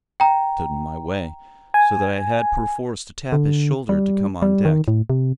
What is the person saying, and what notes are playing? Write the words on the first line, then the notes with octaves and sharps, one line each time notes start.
He stood in my way, so that I had perforce to tap his shoulder to come on deck.
G5 A#5
G#5
D3
G3
G3
D#3
A2
C3